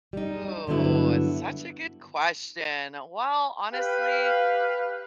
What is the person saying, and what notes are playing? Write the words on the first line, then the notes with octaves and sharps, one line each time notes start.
Ooh, such a good question. Well, honestly,
G3 D#4
G2 D3 F#3 B3 E4
G4 B4 F5